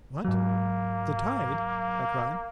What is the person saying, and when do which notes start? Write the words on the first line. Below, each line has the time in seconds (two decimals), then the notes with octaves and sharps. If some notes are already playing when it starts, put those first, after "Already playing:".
"What! the tide!" I cried.
0.25 G#2 F#3 A#3